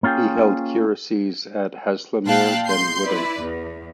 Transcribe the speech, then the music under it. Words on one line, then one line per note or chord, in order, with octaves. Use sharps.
He held curacies at Haslemere then Woodham.
A#3 C#4 F4 G#4 G5
A#2 F5 G5 A5 F#6 A6
G#3 C6 G6 C7
E4 B4 D5
E2